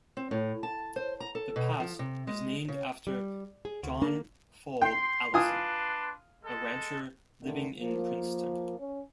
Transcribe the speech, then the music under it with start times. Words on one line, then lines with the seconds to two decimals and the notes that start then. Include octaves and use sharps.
The pass was named after John Fall Allison, a rancher living in Princeton.
0.17 C4
0.31 A2
0.63 A5
0.96 C5
1.20 A#5
1.35 A4
1.56 B2
1.80 F3
1.99 C3
2.27 G#3
2.68 C#3
3.07 G3
3.65 G#4
3.83 D2
4.02 A#3 D4
4.82 G5 C6
5.34 D4 F4 B4 G#5 C6 D#6
6.44 G#3 A4
7.42 E2 D3 D#3 A3
7.78 F3 A#3
8.78 C#4